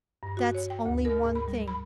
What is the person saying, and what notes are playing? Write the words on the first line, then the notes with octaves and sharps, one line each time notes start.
That's only one thing.
G2
F#4
C#5
G5
D2
A#4
G#2
B5
G3
B5